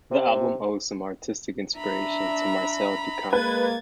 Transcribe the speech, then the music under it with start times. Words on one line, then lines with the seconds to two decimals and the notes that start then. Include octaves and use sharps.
The album owes some artistic inspiration to Marcel Duchamp.
0.11 C3
1.77 D4 E5 A#5 B5
3.33 G#3 A#3 B4 G#6 A6